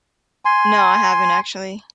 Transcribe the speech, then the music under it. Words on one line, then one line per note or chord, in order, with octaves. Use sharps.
No, I haven't, actually.
G#5 C6